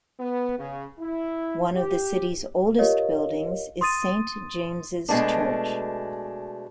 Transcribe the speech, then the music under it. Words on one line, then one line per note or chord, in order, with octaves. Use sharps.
One of the city's oldest buildings is Saint James's church.
B3
C#3
E4
G4
F4 G4 A#4 C#5 D#5 F5
C6 D#6 A6 D#7
B2 G#3 A3 D4